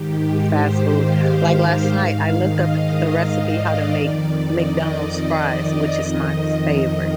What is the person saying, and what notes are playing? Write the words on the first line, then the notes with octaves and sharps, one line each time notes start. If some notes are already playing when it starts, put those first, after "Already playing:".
fast food, like last night, I looked up the recipe how to make McDonald's fries, which is my favorite.
Already playing: G#2 D#3 G4
C5
F5
F5
G#2 D#3 F5
D#5
D#5
D5
F2 D#3
D#5
D5
D#5
F2 D#3 D#5
D#5